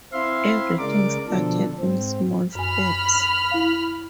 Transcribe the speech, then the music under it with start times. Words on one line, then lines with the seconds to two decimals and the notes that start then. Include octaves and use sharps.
Everything started in small steps.
0.13 C4 E4 E5 F5 C6
0.78 C#3 G#3 A#4 D5 D6
1.28 B2 D3 F3 D4 A4
1.79 G#2 C4
2.55 F#2 G#5 B5 F6
3.51 E4 F5